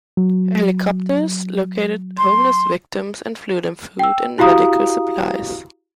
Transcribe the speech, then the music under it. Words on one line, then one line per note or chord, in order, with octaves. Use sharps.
Her helicopters located homeless victims and flew them food and medical supplies.
F#3
C6
G5 E6
E4 F#4 G4 F5 A#5 D#6